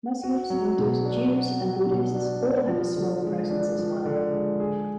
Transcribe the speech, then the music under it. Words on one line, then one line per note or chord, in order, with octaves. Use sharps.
Muslims, Hindus, Jews, and Buddhists all have a small presence as well.
F#4
F#3
B2
D4
F#4
F#3
B2
D4
D4
F3
D3
G#3
D4
F3
D3
G#3
G#4